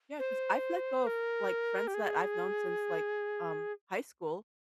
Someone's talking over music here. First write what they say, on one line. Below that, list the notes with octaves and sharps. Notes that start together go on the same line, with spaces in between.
Yeah, 'cause I've let go of, like, friends that I've known since, like, um, high school
C5
A#4
G4
G#4